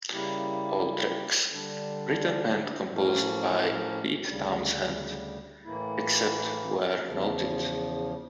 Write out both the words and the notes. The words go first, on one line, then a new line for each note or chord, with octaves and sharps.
All tracks written and composed by Pete Townshend, except where noted.
C#3 G3 A#3 E4 G4
D3 G3 D4
A2 F3 A#3 C#4
D2 C#3 G3
A2 E3 A#3 E4
E2 C#3 F3